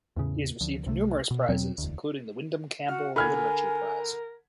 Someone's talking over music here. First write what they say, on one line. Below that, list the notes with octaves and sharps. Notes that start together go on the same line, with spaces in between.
He has received numerous prizes including the Windham-Campbell Literature Prize.
E2 A2 C#3
D2 F3
C2 C3 A3
B2
E2 B2 F#3 C4
E1 D2
F#4 F#5 F6
D3 A#4 G#5 B5 F6 G#6